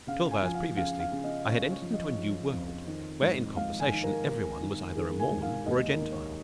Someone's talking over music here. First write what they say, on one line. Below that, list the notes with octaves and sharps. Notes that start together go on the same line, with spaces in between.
Twelve hours previously I had entered into a new world where, in conversation, every one was either a Mormon or a Gentile.
C#3 F5
G#5
F3 G#5
F5
C#3 F5
F5
C#3
D#5
C#3 C#5
C#5
F3
D#5
F3
F2
D#3
G#2
G#2 F5
G#5
D#3
A#4
D#3 A#4
D#3
D#3 G#4
G#5
G#2
F5
D#2 D#5
A#4
D#3
C#5